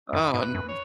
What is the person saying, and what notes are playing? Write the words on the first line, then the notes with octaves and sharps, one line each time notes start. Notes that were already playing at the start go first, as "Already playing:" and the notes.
Oh n
F#2 E4
G#2
B4
F#2
C#5